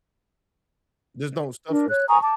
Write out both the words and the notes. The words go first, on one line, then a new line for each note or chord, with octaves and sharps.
just don't stuff yourself,
D4 A#4
C#5 F#6
G#5 A#5 C#6 D#6
A5 D6